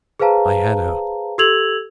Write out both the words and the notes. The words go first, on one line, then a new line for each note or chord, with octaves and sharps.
I had her!
G#4 B4 C5 F5 A5 A#5
G4 A4 E6 G#6 F7 F#7